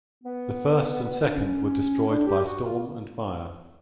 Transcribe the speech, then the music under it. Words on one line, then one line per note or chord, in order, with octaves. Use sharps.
The first and second were destroyed by storm and fire.
B3
D4
C#4
D4
G4
F#4
F4